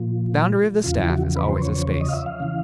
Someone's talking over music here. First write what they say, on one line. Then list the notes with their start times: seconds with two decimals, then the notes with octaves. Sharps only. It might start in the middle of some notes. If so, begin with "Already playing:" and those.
The boundary of the staff is always a space.
Already playing: A#2 F3
0.84 E2 C#3 F3 F4
0.97 E4
1.10 F#4
1.36 B4
1.49 C5
1.62 C#5
2.01 D#5
2.08 F5
2.13 E5
2.26 F5
2.40 C#3 E3